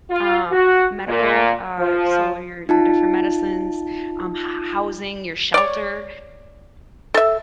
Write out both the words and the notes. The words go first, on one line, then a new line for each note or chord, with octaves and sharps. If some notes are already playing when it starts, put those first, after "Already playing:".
um, medical, uh, so your your different medicines, um, h housing, your shelter.
F4
F#4
A#2
F3
D#4 F4 A5
C#5 D5
A4 E5